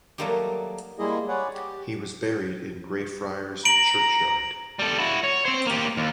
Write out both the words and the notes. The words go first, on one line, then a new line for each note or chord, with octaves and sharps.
He was buried in Greyfriars churchyard.
F#3 G3 A3 A#3 D#4 G4
G3 G#3 A#3 E4 G#4 D#5
G#4 B4 C#5 D5 F#5
G4
A#5 D7 F#7
G3 A4
E4 F#4
C#5
C4 C5
A#3 G4
D#2